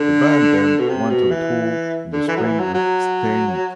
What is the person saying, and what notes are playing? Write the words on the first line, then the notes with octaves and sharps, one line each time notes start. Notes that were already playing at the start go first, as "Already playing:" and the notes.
The band then went on tour in the spring with Staind.
Already playing: D3
B2
C3
B2
E3
D3
E3
F#3
E3
F#3
F#3